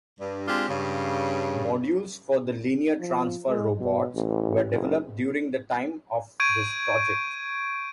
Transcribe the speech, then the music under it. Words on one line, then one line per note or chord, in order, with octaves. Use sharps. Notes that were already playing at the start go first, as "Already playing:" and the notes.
Modules for the linear transfer robots were developed during the time of this project.
G2
G#3 C4 D4 F4 G4
G2 C#3
F3
G#3
B2
A1
F#1
C#6 G6 G#6 D7 D#7